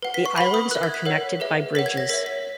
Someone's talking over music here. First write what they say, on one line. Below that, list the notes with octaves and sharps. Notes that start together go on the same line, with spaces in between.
The islands are connected by bridges.
B4 F#5
B6
C#6
B4 F#5 B5
D#6
A#4 E5 F#6
G#6
B6
A#4 C#5 F#5
G#4 B4 E5
A#4 C#5 F#5 B6
G#6
A#6
A#4 C#5 E5 B6
B6